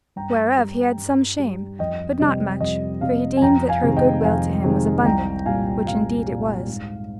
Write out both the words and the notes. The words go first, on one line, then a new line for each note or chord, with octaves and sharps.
Whereof he had some shame, but not much, for he deemed that her goodwill to him was abundant, which indeed it was.
G2 G5 A#5
G3
G2
G3
F2 D#5 G5
C3 G3 D#5
F2 D#5
C3 G3 F5
G#5
F2 G5 A#5
F5 G#5
C3 D#3 G#3
D#5 G5
F2 F5 G#5
C3 D#3 G#3
C2 G5 A#5
A#2 G3 F5 G#5
C2 F5
A#2 G3
G#2